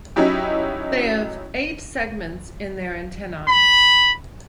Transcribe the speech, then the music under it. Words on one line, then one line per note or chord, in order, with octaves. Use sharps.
They have eight segments in their antennae.
F#3 C#4 D#4 E4 G4
B5